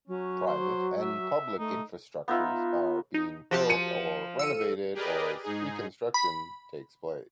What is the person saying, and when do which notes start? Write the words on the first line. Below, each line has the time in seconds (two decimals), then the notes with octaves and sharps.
Private and public infrastructures are being built or renovated as reconstruction takes place.
0.08 F#3 C#4
0.46 C5
0.99 E5
1.58 A3 D#4
2.28 B3 D#4 F4 E5
3.14 D#4
3.51 F3 F#4 G4 A5
3.70 C#7 D#7
4.39 A4 E6 C#7 D#7
4.94 G4 G#4 A#4 B4 D5 D#5
5.43 G#2 D#4 G#4
6.14 B5